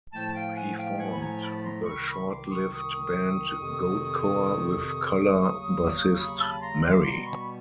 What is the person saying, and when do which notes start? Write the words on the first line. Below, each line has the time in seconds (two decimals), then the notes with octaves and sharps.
He formed the short-lived band Goatcore with Color bassist Marry.
0.13 A2 F3 A3 G5 A5
0.35 F5 G5
0.56 F#5 G#5
0.78 F5 G5
0.99 F#5 G#5
1.12 B5
1.21 G#5 A#5
1.43 A5 B5
1.64 A#5 C6
1.85 C2 C3 D#3 B5 C#6
2.07 B5 C#6
2.29 C6 D6
2.51 C#6 D#6
2.72 C#6 D#6
3.59 F2 C3 D#3
5.32 D#2 C#3 F#3
6.18 B5 C#6
6.40 A5 B5
6.61 A#5 C6
6.83 C6 D6
7.05 B2 G3 B3 A#5 C6
7.26 B5 C#6